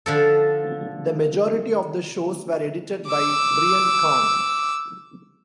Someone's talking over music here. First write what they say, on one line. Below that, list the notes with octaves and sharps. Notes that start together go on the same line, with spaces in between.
The majority of the shows were edited by Brian Karn.
D3 F3 A4
D6 E6